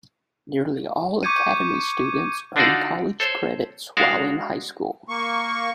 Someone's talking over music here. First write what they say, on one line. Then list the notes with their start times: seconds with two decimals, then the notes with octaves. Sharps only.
Nearly all Academy students earn college credits while in high school.
1.23 C#6 D6 G6 G#6 C#7 D#7
2.56 D3 D4 D#4 F4 F#4 D5
3.20 A4 C5 C#5
3.97 G#3 D4 F#4 A#4 F5
5.09 A#3 C#6